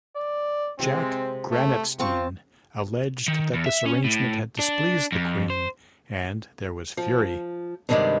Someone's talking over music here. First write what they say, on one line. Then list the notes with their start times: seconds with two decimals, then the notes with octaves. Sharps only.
Jack Granatstein alleged that this arrangement had displeased the Queen and there was fury.
0.16 D5
0.80 C3 G#3 C4
1.51 A3
2.00 C4 F4 A5 C#6
3.28 D#3
3.53 E2
3.66 E5
3.86 C#4
4.04 A2
4.59 D4
5.12 F2
5.50 C5
6.97 F3
7.89 G2 C3 D#3 E3 G3 G#3